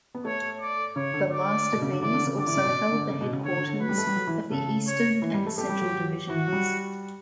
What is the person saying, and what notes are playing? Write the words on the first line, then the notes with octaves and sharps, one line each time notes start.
The last of these also held the headquarters of the Eastern and Central Divisions.
B3
A3 C#5
D5
C#3 C#5
D3
D5
B2
C#3
D3
E3 D5
D3
C#3
D3 D5
E3
C#3
B2
D3
C#3
B2
C#3
D3 C#5
D3
D3
F#3 B4
G3
A3
G3
F#3
E3
C#3 A4
C#5
E3
G3
A3
A3 G4
G3
F#3
E3 F#4
F#3
G3